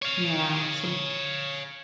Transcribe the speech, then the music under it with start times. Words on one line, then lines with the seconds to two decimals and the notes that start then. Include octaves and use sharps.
yeah, so
0.02 C#5 F5